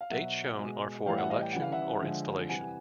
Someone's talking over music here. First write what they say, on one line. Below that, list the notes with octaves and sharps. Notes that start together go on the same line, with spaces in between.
Dates shown are for election or installation.
F5
B2 F#3 E5 F#5
B2 G#3
A2 E3 G3 F5 G5
E5 F#5
D#5 F5
G5
C#3 E3 G3 F#5
F5
E5 F#5
D3 F3 G#3
C3 E3 G3 F#5 G#5